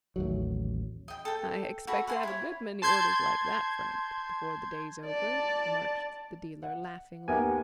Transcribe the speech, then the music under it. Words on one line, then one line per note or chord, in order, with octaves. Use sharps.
"I expect to have a good many orders like that, Frank, before the day is over," remarked the dealer, laughingly.
A1 D#2 F#3
D#5 G5
A4 G5
F#4 A4 B5
F#5 G#5 C6
E4 C#5
A5 C6 G6 G#6
D5 A5
F#5
D#2 B3 G4 A#4 E5 G#5